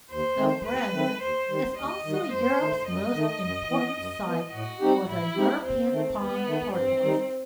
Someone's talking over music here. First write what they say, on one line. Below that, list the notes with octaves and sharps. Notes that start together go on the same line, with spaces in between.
The Brenne is also Europe's most important site for the European pond tortoise.
D#2 C5
D#3 A3 C4
D#2 B4
D#3 A3 C4
D#2 C5
D#3 G3
D#2 D#5
D#3 G3
F#2 C5
D#3 A3
F#2 D#5
D#3 A3
F#2
E3 B3
F#2
E3 B3
A2 F#4
G3 C4 D#4 G4
A2 E4
G3 C4 D#4 G4
D#2 C4
D#3 A3
D#2 B3
D#3 A3
G2 C4
D#3 G3 D#4